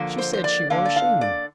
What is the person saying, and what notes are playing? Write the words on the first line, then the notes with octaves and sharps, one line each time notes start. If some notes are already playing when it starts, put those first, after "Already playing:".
She said she warn't ashamed of me.
Already playing: D3 F3 A#3
C5
C5
D5
D3 A#3 D4 F5
D5
F5
D5